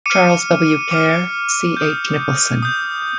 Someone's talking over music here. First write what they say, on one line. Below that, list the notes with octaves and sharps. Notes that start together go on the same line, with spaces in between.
Charles W. Kerr, C. H. Nicholson.
D6 F6 C#7 D#7
D6 F6
G6
D#6
D#6 G6